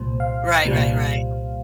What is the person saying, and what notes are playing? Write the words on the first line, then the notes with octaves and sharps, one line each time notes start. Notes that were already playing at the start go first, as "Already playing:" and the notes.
Right, right, right.
Already playing: C2 A#2 G3 C5
F5
C2 A#2 G3